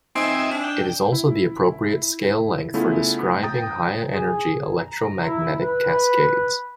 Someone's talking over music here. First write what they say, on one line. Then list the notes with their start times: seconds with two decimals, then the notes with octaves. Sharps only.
It is also the appropriate scale length for describing high-energy electromagnetic cascades.
0.15 C4 D#4 E5 G#5
0.51 D4
0.64 G5
1.12 E4
2.74 C#3 A3 B3 E4 F4
3.43 G5 A#5 D#6 A6
4.05 G#4
4.81 A#5
5.26 E4
5.58 B4